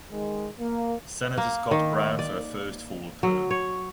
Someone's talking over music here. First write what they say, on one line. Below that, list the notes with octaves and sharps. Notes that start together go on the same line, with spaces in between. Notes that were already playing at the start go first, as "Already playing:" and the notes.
Senator Scott Brown for her first full term.
D#3 G#3
A#3
A#3
D#3
D5
F#3
C#5